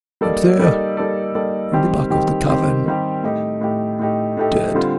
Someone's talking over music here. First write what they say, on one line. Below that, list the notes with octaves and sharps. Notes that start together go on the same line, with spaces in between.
"Up there--in the back of the cavern--dead!"
G3 A#3 D#4 A4 D5
G3 A#3 D#4 A4 D5
G3 A#3 D#4 A4 D5
G3 A#3 D#4 A4 D5
D#3 G3 C4 G4
D#3 G3 C4 G4
D#3 G3 C4 G4
D#3 G3 C4 G4
A2 A3 D#4 G4
A2 A3 D#4 G4
A2 A3 D#4 G4
A2 A3 D#4 G4
D3 G3 C4 F4